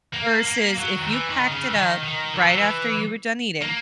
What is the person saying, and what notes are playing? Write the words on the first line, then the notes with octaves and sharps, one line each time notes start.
versus if you packed it up right after you were done eating,
A#3
A#3
F#3
D#3
E3
D#3
C#3
E3
D#3
D#3
E3
F#3
E3
A#3